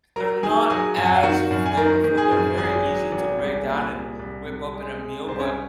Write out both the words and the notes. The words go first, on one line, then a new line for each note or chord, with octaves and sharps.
They're not as flavorful, they're very easy to break down and whip up in a meal, but
F#3 A#4 A#5
D#3 G#4 G#5
F#3 G#4 G#5
F#2 G#5
F#5
F5
D#3 F#4 F#5
F#2
G#5
D#3 A#4 A#5
D#3
G#4 G#5
F#2
G#1 G#4 G#5
F#3
G#1
C2
A#2
C2
C2
C2
G#3
G#3
C2 C5
C#4 C#5